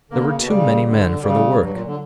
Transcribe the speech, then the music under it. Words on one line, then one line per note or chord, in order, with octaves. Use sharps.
There were too many men for the work.
D3 A#3
C#3
B2
C#3 G3
D3
C#3 G3
G2 F#3
A#2
D3